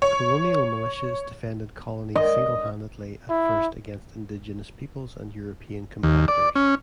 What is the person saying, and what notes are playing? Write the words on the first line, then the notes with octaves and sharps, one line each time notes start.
Colonial Militias defended colonies single-handedly at first against Indigenous peoples and European competitors.
C#5
D#5
E4
D#2
D5
C#4